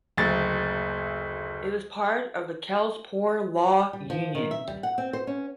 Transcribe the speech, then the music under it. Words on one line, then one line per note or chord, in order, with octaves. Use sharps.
It was part of the Kells Poor Law Union.
F#1 D2 A6
G3
F3
D#3
E5
G3
F#5
C4
C5
C#4